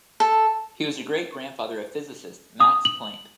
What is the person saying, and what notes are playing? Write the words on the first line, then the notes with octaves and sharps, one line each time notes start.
He was the great-grandfather of physicist Max Planck.
A4
D#6
F#7